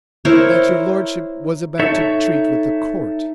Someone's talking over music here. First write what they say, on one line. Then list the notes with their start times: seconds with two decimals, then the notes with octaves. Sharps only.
"That your lordship was about to treat with the court."
0.25 E4 A#4 C5 C#5
1.79 D#4 A4 C#5 E5